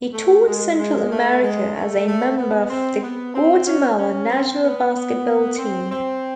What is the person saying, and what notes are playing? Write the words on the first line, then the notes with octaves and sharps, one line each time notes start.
He toured Central America as a member of the Guatemala national basketball team.
A3
G#3
G#3
A3
G#3
A3
A3
B3
C4
B3
C4
C#4
C#4
C4
B3
B3
C4
C4